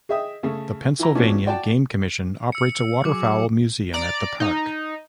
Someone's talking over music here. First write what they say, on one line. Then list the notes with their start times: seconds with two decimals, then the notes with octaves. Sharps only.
The Pennsylvania Game Commission operates a waterfowl museum at the park.
0.09 G#4 D#5 E5 G5 D#6
0.43 C#3 A3 G#4 A4
0.99 E3 E4 A#5
1.15 B2 E3 F3 A3 C#4 D4
1.46 F#4 D5 G5 A5
2.52 E6 C#7
3.05 F#3 G#4 D6
3.93 D5 A#5 D7
4.40 D#4